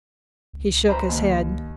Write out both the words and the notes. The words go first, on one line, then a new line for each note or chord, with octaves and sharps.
He shook his head.
C#2
C5 A#5 B5
D#2